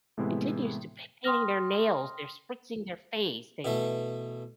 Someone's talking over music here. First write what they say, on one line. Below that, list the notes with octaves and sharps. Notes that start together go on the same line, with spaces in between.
it didn't used to painting their nails, they're spritzing their face, they
A2 C3 E3 G#3 B3 E4
G5 C6 D#6 F6 A#6
B2 E3 A3